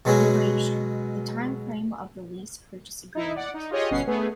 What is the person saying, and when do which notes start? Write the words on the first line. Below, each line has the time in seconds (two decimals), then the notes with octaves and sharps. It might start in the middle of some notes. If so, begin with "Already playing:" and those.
"Duration" - The timeframe of the Lease-Purchase Agreement.
0.05 B2 F#3 G#3 B3 C#4 G#4
3.15 D#4 E4
3.36 D5 F#5
3.54 D#4
3.71 F4 G4 G#4 C#5 D#5
3.91 G1 B2 C#4 F#5 C7
4.07 A3 B3 G#4